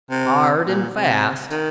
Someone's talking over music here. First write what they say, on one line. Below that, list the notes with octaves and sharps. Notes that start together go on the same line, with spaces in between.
"Hard and fast."
C3
A#2
C3
D#3